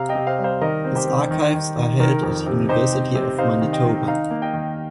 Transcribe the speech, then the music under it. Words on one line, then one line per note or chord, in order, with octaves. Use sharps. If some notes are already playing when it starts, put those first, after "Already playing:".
His archives are held at University of Manitoba.
Already playing: C3 F5 A#5
D#5 G5
C3
C5 F5
G3
C5 F5
D#3 A#4 D#5
C4
G4 C5
C4
D#3
D#3
D#3
D#3 A#4
F2
C3
D#4 G4 C5
C4
C3
D#4 C5 F5
D#3
D#5 G5
D#3
D#4 F5 A#5
A#3
D#5 G5
D#3